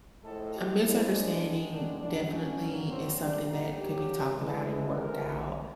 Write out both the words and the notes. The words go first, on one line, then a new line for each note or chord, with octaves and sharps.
a misunderstanding definitely is something that could be talked about and worked out,
A2 F3 G#3 A4
G4
A2 F3 G#3 E4
D4
F#2 D#3 G#3
D4
F#2 D#3 G3 D4
C#4
G2 D#3 F#3
C4
A#2 G3 D4
D#4
A#2 F#3 G4
A2 E3 G#3
G#4
E2 C3 E3 G#3 A#4